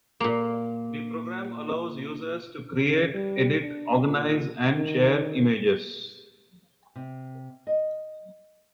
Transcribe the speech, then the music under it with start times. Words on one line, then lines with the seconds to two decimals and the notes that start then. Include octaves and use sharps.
The program allows users to create, edit, organize and share images.
0.20 A#2 A#3
2.80 C#3
3.14 G3
3.61 D4
4.05 A#2
4.76 D#3
6.96 C3
7.67 D#5